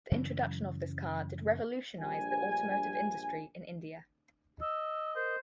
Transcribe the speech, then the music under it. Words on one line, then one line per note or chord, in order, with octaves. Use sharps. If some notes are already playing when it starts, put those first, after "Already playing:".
The introduction of this car did revolutionize the automotive industry in India.
F#2 C#3 E3 F#3
A#1 G2 G3 G#5
D#5 E6
A#4 C5